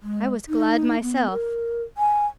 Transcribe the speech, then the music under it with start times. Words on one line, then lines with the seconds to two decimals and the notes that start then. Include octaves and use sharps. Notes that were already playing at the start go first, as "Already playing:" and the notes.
I was glad myself.
0.02 G#3
0.48 D#4
1.02 B3
1.31 A#4
1.98 G#5